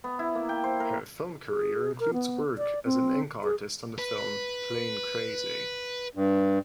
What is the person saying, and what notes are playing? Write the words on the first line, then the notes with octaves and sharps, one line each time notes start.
Her film career includes work as an ink artist on the film "Plane Crazy".
B3
E4
A#3
G5
C5
A#4
G#4
A#4
B3
D5
C4
G#4
B4
G2